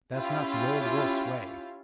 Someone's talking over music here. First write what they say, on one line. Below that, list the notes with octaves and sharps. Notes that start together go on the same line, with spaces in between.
That's not the Old Wolf's way.
C#4 E4 F4 G4